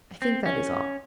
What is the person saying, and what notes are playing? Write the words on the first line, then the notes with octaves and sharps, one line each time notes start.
I think that is all.
C4
C#4